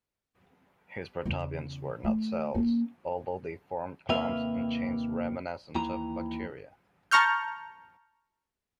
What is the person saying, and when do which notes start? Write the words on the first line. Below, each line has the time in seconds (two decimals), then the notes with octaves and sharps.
His protobionts were not cells, although they formed clumps and chains reminiscent of bacteria.
1.25 E2 C#3
2.04 A3
2.55 A#3 C#4
4.09 D#2 C3 A#3 B4 E5 F5
5.75 D#2 E3 A#5
7.11 A5 A#5 C#6 F6 G6